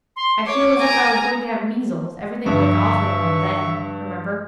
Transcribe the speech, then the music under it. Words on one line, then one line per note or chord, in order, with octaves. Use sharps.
I feel as if I was going to have measles; everything looked awfully rum then, remember.'
C6
C#5 D6
G#5 A#5
G2 D3 F3 B4 E5 C#6